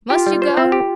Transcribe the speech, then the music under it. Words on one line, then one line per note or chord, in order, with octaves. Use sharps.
Must you go?
F4 G4
G3
C5
C4
G4